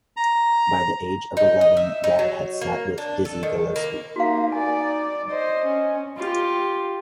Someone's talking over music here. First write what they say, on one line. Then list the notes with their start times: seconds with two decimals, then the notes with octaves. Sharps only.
By the age of eleven Gadd had sat in with Dizzy Gillespie.
0.17 A#5
1.37 D#4
1.61 D#5
1.77 E5
2.04 D#4
2.19 F#3
2.61 A#3
2.98 D4
3.25 A4
3.43 D#3
3.76 A#3
4.16 A#3 D#4 F#4 F5
4.52 D5 G#5
5.31 C5 D#5
5.67 C#4
6.17 F4 G4